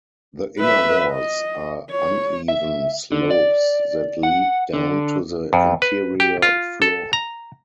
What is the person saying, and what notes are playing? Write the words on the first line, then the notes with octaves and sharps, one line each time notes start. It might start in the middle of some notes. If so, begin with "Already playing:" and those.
The inner walls are uneven slopes that lead down to the interior floor.
B4 E5
D#5
C#5
E5
D3
D5
F#5
D3
F2
B4
G4
F4
A4
A#5